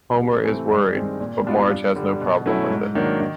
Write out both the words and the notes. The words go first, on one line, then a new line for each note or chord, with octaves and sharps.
Homer is worried, but Marge has no problem with it.
C3
E3 A3 C4
G2
D#3 G#3 C4
A#2
G3 B3 D4 F4
G2
D3 G3
B2
F#3 A3 C#4 E4
G#2
D#3 F#3 A#3 D4
D#3